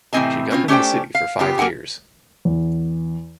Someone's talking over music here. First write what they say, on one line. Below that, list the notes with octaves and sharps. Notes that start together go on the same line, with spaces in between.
She governed the city for five years.
A2 C3 E3 C4 D#5 G#5
B2 C4 C#4 F4
A3 C#4 G4 C5 D5 G5
F5
C#3 B3 F4 G4
A#3 A4 A#4 F#5 G#5
E2